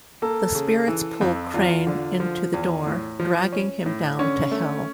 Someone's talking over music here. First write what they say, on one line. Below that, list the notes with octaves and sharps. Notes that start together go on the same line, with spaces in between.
The spirits pull Crain into the door, dragging him down to Hell.
A#3 A4
C#3
E3
F2
E2 F4
D3
F3
E2
A2
F3
C#4
A2
D3 C#4
A3